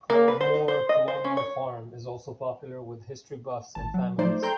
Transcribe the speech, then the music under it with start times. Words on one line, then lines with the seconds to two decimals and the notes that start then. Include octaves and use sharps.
Claude Moore Colonial Farm is also popular with history buffs and families.
0.10 A#3
0.28 B4
0.41 C5
0.54 D#4
0.68 C5
0.89 D#5
1.08 C5
1.24 C#4
1.37 C#5
3.75 G#1 A5
3.94 F#3
4.18 F3 F#3 A3 D#4 C5 D5
4.42 A4 G5 A#5 C6 G6